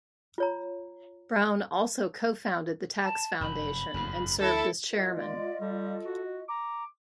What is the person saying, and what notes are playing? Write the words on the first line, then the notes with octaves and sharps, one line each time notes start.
Brown also co-founded the Tax Foundation and served as chairman.
F4 C#5 A#5
A5
F1 F#2 B5
F#1 F2 G#2
D2 E4 A4
F4 A#4 D#5
G#3 D5
G3 A4
F#4
A#5 D6